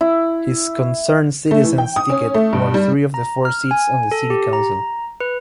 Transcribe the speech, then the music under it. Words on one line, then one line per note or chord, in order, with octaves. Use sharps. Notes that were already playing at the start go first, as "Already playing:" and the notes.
His Concerned Citizens ticket won three of the four seats on the city council.
E4
A3
E3
G5
D#6
C#4
A3
G2
G3
A#5
F6
G#5
A4
G4
A#5
B4